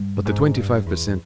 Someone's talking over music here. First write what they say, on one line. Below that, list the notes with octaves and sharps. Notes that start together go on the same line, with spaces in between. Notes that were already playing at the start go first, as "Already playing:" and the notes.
But the twenty-five per cent.
Already playing: G2
G#2
G2
E2